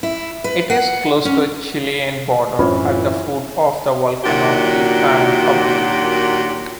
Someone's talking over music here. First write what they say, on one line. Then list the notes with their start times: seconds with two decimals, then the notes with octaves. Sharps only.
It is close to the Chilean border, at the foot of the volcano Licancabur.
0.03 E4
0.44 B4
0.70 F#5
1.25 C#4
2.59 F#2 A2 E3 C4 C#4 F4 B4 C#5
4.24 A#2 D#3 F#3 D4 F#4 G4